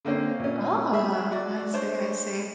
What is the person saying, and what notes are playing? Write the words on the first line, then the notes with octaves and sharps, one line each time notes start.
Oh, I see, I see.
D3 A#3 C4 C#4
A#2 C#4
G#4 E5 B5
F#4 D5
D4 C5 C#5